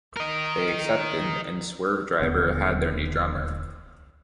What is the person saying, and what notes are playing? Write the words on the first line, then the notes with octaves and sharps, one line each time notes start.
They accepted and Swervedriver had their new drummer.
A#4 D#5
D1 D#2 D3 B3